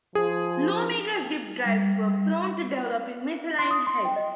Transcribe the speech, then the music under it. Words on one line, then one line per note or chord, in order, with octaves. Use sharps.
Iomega Zip drives were prone to developing misaligned heads.
F3 G#4
G3
C6
D#6
C6
G5
D#5